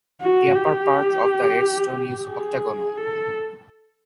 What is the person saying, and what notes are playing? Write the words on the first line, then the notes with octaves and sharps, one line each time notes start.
The upper part of the headstone is octagonal.
F#4
G4
G#4
A4